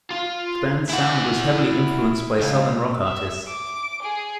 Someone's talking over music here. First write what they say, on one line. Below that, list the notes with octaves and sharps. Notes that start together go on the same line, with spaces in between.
The band's sound was heavily influenced by Southern rock artists.
F4
E4 F#5
C#2
E5
D6
G#4